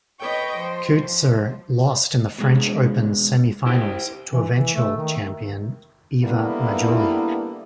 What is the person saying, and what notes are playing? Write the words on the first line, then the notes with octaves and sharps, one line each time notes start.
Coetzer lost in the French Open semi-finals to eventual-champion Iva Majoli.
B4 C#5 D#5 G5 C#6
F3 C5
F3
B2 G#3
E4 G4 C5
E3
E3
A3
D#3
D3 G3 A#3 B3 E4